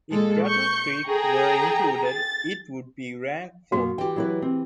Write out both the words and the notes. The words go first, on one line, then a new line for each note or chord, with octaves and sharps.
If Battle Creek were included, it would be ranked fourth.
A#2 G#3 A4
C#6 G6 C#7
G#4 A4 G5 A#5
A6
F#2 B2 A#3 F#4
E3 G4 G5
F#3 E4 B4
C4